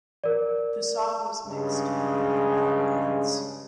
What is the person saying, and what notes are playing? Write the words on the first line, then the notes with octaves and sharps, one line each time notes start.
The song was mixed within the following months.
A#4 D5
G2 C#3 G#3